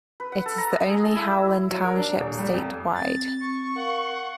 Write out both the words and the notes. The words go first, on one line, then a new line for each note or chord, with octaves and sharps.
It is the only Howland Township statewide.
B4
F#5
A4
A#5
D#6
G#4
A4
E4
E6
F#3
A#4
D4
D#1
G3
F2
C4 A6
C#6
A#4 F5 F#5